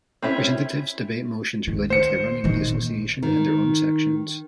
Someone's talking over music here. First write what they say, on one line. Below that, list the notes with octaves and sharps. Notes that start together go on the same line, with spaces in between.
Representatives debate motions relating to the running of the association and their own sections.
C4 C#4 E4 E5
D#3
C5 C#7
A#2 D#3
D#3